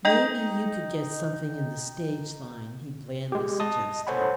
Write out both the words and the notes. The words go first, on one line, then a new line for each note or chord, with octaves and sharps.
"Maybe you could get something in the stage line?" he blandly suggested.
D#4 D#5 G5
G#3 G4
D#5 A5 D#6
A4 C5 C#5 F#5 G#5 B5